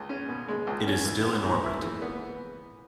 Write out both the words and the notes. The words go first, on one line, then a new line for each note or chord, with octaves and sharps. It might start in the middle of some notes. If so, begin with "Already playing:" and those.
It is still in orbit.
Already playing: C#2
C#4
B2
G#3
C#2
C#4
E3
B3
G#2
E4
E3
B3